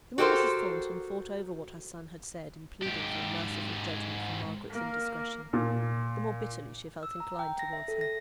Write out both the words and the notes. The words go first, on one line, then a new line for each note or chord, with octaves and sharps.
The more Mrs. Thornton thought over what her son had said, in pleading for a merciful judgment for Margaret's indiscretion, the more bitterly she felt inclined towards her.
F#4 G4 A4 A#4 C5
G#2 G4
A#3 A#4
A#2
E6
A#5
G5
A#6
E5
A4
A#6